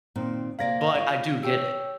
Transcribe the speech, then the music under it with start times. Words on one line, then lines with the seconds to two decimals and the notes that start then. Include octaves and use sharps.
But I do get it.
0.16 A#2 D#3 C4
0.59 C3 A#3 D5 F5 G#6 A#6
0.95 F4 D5
1.43 G4 C#5 G5 E6